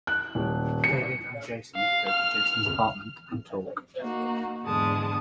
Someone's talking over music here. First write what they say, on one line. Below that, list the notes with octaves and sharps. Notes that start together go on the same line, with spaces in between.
David and Jason go to Jason's apartment and talk.
F#6
D#1
C#7
F5
F6
A#3 D#4 F#4
E2 G#2 D3 G#3 A5 D#6